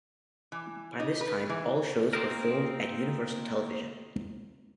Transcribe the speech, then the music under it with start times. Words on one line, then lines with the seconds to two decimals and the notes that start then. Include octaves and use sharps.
By this time, all shows were filmed at Universal Television.
0.52 E3
1.00 D#4
1.21 B4
1.50 E3
2.13 A#3 C4 D#4 A#4